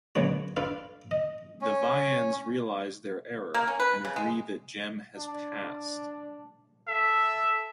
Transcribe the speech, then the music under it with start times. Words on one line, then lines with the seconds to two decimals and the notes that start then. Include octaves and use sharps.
The Vians realize their error, and agree that Gem has passed.
0.15 D2 A#2 C#3 F#3 B3 F#4
0.57 D4 F4 A4 B4 F5
1.11 D#5
1.62 C#4
3.54 A#3
3.67 C#4
3.80 B4
4.05 C#3
4.16 G#3
5.16 D4
6.88 A4 E5